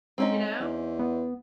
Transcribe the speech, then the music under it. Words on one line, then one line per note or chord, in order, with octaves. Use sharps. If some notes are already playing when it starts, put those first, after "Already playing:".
You know?
G#2 C4 C#4 D#4
E2
B3